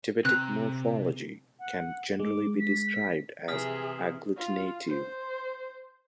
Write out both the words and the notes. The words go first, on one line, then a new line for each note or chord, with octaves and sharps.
Tibetic morphology can generally be described as agglutinative.
C3 C4 A#5 F#6
F#5
G#3 D6
B6
C3 E3 G#4 D#6 F6 B6
F4
C5